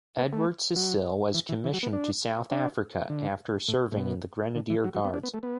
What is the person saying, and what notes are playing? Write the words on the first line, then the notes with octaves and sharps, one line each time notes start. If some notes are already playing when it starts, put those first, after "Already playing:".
Edward Cecil was commissioned to South Africa after serving in the Grenadier Guards.
B3
A3
F#3
E3
E3
E3
F#3
B3
D4
D4
D3
A2
A2
B2
D3
E3
F#3
F#3
B3
D4
B3
A3
B3